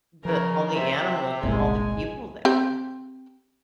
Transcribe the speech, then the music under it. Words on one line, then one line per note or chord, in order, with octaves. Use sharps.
the all the animals and all the people there.
C#3 F3 A#4
C3 E5
G1 C2 A#2 G#3 G#5
C4 G4 G5